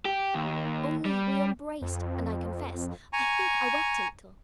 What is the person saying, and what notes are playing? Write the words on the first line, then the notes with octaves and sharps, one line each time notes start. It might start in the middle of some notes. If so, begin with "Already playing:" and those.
Only we embraced, and I confess, I think I wept a little.
G4
D#2
G3
F2
G#5 A#5 C#6